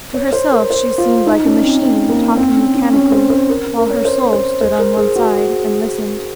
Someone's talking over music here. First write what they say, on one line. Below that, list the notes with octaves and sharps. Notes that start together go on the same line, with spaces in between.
To herself she seemed like a machine, talking mechanically, while her soul stood on one side and listened.
C#5
C5
A#4
C5
F4
D#4
C#4
C4
C4
A#3
C4
C#4
C#4
C#4
C5
C5
A#4
A#4
C#5
C5
C5
C5
A#4
G#4
F#4